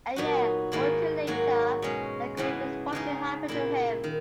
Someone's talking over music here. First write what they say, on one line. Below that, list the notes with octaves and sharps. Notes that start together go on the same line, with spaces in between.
A year or two later a great misfortune happened to him.
A#2 F#3 B3 D#4 F#4
G#2 D#3 A#3 E4
G#2 F#3 A#3 D#4 F#4
B2 G#3 C#4
E2 C#3 E3 B3
C#3 G#3 D#4
A#2 A#3 E4
D#3